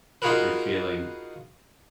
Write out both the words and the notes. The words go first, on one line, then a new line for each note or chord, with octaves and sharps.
you're feeling
D#4 F4 F#4 G#4 A#4 B4